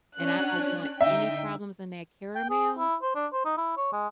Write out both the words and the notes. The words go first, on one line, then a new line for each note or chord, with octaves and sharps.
and I don't want any problems in that caramel.
C#4 D4 F#6
D3 D#4 E5 G5
G5
G#4
E4
C5
D4
C5
D#4
E4
C#5
G#3